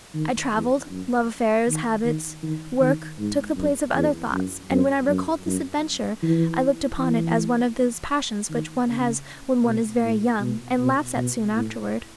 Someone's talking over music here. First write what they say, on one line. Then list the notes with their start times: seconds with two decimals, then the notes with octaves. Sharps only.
I travelled; love affairs, habits, work, took the place of other thoughts, and when I recalled this adventure I looked upon it as one of those passions which one has when one is very young, and laughs at soon afterward.
0.14 D#3
0.53 E2
0.90 F#2
1.67 D#3
2.05 D#3
2.43 D#3
2.81 D#3
3.18 G#2
3.56 F#2
3.94 E2
4.33 F#2
4.71 F#2
5.09 F#2
5.46 F#2
6.22 E3
6.98 E3
8.50 D#3
8.88 C#3
9.64 B2
10.02 A2
10.40 B2
10.78 B2
11.15 B2
11.54 A2